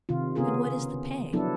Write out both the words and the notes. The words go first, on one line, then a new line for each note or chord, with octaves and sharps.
"And what is the pay?"
C3 D#3 F4
C#3 B3 C#4 F4 G#4 A#4
F3 F#3 B3 D4 E4 A4